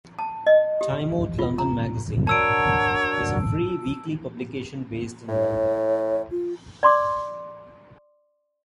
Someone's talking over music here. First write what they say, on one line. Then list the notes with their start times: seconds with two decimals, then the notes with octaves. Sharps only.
"Time Out London Magazine" is a free weekly publication based in London.
0.19 A5
0.47 D#5
0.81 G4
1.39 F4
1.58 A#5
2.27 D4 F#4 A#4 C#5 A5 E6 D7
5.29 A2 C#5
6.31 F4
6.83 D5 C6 D6